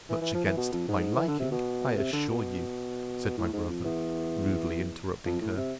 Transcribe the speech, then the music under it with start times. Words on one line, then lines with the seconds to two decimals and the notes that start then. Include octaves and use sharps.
Much against my liking, I assure you, said my brother, rudely interrupting her.
0.09 E3
0.21 E3
0.34 F3
0.45 E3
0.57 B2
0.73 F2
0.88 G#2
1.16 E3
1.27 D3
1.39 C3
1.51 B2
1.97 C3
2.13 D3
2.29 B2
3.37 A2
3.53 G#2
3.69 F2
3.84 E2
5.25 F2
5.41 A2
5.57 C3